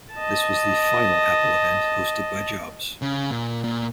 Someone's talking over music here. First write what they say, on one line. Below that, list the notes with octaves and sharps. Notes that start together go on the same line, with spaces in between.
This was the final Apple event hosted by Jobs.
D#5 A5
C#3
A#2
A#2